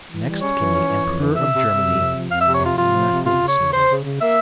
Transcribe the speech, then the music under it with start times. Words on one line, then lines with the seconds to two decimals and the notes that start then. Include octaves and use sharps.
Next came the Emperor of Germany and Lena Hildesmuller.
0.10 E3
0.25 G3
0.41 C#4 C#5
0.57 E3
0.73 C#4
0.88 E3
1.04 F2
1.19 E3
1.35 C3 E5
1.52 C3
1.67 C3
1.83 F2
1.98 C3
2.14 F3
2.30 F2 F5
2.41 C3 E5
2.54 C#5
2.62 F3 F4
2.77 C3 F4
2.93 F3
3.09 C3
3.25 C#3 F4
3.40 C#3
3.49 C#5
3.57 C#3
3.72 C#3 C5
3.88 C#3
4.03 C#3
4.19 A#3 E5